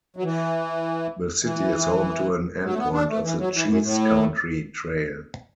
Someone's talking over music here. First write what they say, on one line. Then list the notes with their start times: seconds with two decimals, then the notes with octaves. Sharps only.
The city is home to an endpoint of the Cheese Country Trail.
0.16 F#3
0.23 E3
1.43 E3
2.64 F#3
2.73 A3
2.78 B3
2.93 D4
3.08 A3
3.23 E3
3.38 F#3
3.53 E3
3.68 F#2
3.83 A2